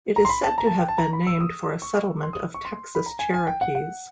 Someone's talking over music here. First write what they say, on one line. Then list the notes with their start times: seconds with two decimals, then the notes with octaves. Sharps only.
It is said to have been named for a settlement of Texas Cherokees.
0.16 A#5
0.25 C6
0.29 B5
0.44 A5
0.58 A#5
0.67 A5
0.79 G5
0.88 A5
0.98 A#5
1.13 B5
1.27 E6
1.40 D#6
1.82 C#6
2.23 C6
2.33 D#6
2.54 C#6
2.65 C6
2.95 B5
3.06 A#5
3.19 G#5
3.34 G#5
3.47 G5
3.61 F#5
3.75 F#5